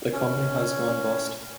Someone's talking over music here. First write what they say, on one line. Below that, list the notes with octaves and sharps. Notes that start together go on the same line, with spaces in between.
The company has gone bust.
C#4